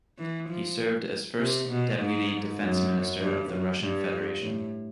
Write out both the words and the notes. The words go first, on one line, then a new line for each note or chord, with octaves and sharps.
He served as First Deputy Defence Minister of the Russian Federation.
E3
F3
C3
B2
G#2
F#2
G2
F#2
G2
A2